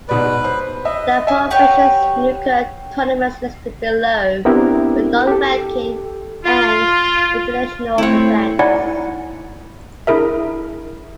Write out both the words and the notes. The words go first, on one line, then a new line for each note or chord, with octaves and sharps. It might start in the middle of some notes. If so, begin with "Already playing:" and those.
The professional snooker tournaments listed below were non-ranking and invitational events.
G#2 B2 B4 D5
C5
D#5 E5
E5 G#5
F#4 G4 B4 C#5
B3 C4 D4 E4 G4 A#4
G4 A4
F4
A3 C4 E4 C#5
D#4 E4 C#5 D5 F#5 G#5
D4 E4 G#4 A#4 E5